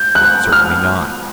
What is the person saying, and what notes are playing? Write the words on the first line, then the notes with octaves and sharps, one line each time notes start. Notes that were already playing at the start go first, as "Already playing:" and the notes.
Certainly not.
Already playing: G6
F#6
F6